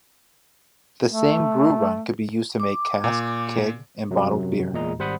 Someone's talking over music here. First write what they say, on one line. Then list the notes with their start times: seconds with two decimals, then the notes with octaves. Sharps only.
The same brew run could be used to make cask, keg, and bottled beer.
1.07 A3
2.60 D6
3.04 A#2
4.11 F#2 C3 F#3
4.73 E2 A#2 G#3 D#5 A#5
4.99 G#1 G3 C5 F#5 B5 D#6